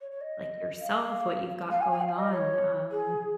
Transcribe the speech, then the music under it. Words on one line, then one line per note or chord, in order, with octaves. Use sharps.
like, yourself, what you've got going on, um
C#5
C#5
D#5
F5
F5
G#5
G#5
F5
D#5
C#5
G#4